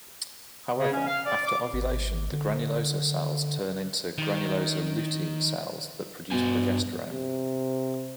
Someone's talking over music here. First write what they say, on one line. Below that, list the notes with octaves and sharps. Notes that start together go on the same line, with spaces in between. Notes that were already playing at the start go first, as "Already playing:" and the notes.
However, after ovulation the granulosa cells turn into granulosa lutein cells that produce progesterone.
C#3
C#4
F5
D5
D6
G#1
D3
D#3
G2 B2 G#5
C3